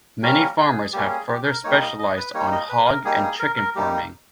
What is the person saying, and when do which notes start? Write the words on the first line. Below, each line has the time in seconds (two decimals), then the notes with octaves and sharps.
Many farmers have further specialized on hog and chicken farming.
0.23 G3 A#3 C#4 A#4
0.58 G#4
0.93 G3 A#3 C#4 G4
1.10 G#4
1.28 G4
1.46 A#4
1.64 G3 A#3 D#4 C#5
1.81 D#5
1.99 D#5
2.17 B4
2.34 G3 A#3 D#4 C#5
2.52 D#5
2.69 B4
2.87 A#4
3.05 G3 A#3 D#4 G#4
3.22 G#4
3.39 A#4
3.57 A#4
3.75 G3 A#3 D#4 G4